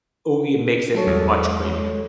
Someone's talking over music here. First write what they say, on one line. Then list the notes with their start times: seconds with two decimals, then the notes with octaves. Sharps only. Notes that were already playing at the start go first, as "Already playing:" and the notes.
ooh it makes it much creamier.
0.95 F#3 G#3 A4 C#5
1.07 E2